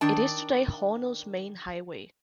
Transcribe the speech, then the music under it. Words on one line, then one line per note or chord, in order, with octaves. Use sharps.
It is today Hornell's main highway.
D#3 D4 A5